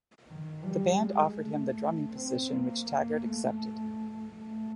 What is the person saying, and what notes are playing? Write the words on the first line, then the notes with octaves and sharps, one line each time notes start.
The band offered him the drumming position which Taggart accepted.
D#3
G3
G#3
A3
C4
A#3
A#3
A3
A3